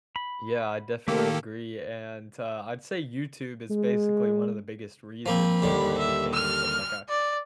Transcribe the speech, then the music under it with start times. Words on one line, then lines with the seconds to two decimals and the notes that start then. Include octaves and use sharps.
Yeah, I definitely agree, and, t uh, I'd say YouTube is basically one of the biggest reasons that I became such, like, a
0.16 B5
1.08 D#3 A3 A#3 G4 A4 A#4 D6
3.70 G#3
5.26 F3 A#3 C4 B5
5.62 D#2 D3 G3
5.98 E5
6.33 F6
7.08 D5